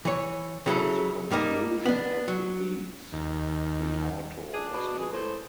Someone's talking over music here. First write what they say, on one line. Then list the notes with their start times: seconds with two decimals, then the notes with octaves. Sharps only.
At the conclusion of these, the auto was given.
0.05 E3 C#5
0.66 C#3 F#3 E4 A4
1.31 G2 G3 A#3 D#4
1.86 B3 D4
2.28 F#3
3.12 D#2
4.54 D4 G#4
4.73 B2
4.99 G#4
5.13 A2 C5